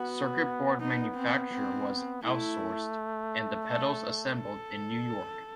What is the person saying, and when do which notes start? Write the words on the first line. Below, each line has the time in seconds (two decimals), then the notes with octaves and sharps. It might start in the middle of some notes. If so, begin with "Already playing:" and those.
Circuit board manufacture was outsourced, and the pedals assembled in New York.
Already playing: B3 F#4
0.81 B3 D#4
1.16 C4
1.52 C4
2.22 A3 E4
3.64 A4
4.35 A4